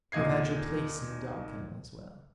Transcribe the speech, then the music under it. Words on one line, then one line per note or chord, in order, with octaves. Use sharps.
You have had your place in the dog-kennel as well.
D#2 A#2 D#5 G#6 C7